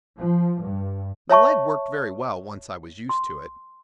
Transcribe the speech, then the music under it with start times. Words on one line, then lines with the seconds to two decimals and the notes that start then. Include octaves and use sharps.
The leg worked very well, once I was used to it.
0.18 F3
0.61 G2
1.29 C#5 E5 A5 C#6
3.09 C6